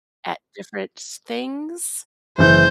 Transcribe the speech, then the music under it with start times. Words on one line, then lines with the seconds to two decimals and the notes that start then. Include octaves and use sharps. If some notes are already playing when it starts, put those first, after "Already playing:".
at different s things
2.38 F#1 E3 C5 G6